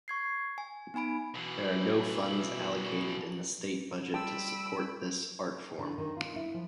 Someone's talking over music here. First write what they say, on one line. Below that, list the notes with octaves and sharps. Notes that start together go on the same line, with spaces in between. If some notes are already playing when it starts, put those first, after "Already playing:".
There are no funds allocated in the state budget to support this art form.
C#6 G#6 C7
G#5
B3 D#4 G#5 B5 D7
B2 E3
G3 G5 A5 B5 C6 E6 D7
D3
D#3
F4
E4
F3